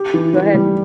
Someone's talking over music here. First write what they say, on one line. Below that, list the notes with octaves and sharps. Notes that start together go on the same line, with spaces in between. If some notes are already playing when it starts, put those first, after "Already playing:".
Go ahead.
Already playing: G4
E3
E3
G3